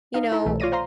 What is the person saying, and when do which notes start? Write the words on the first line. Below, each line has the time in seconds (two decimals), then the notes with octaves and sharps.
you know,
0.14 D#4 F5
0.32 E4 A4 A#5
0.46 C2 B2 E3 A3
0.60 F4 C#5 D5 A#6 D#7
0.72 C5 F5 A#5 C6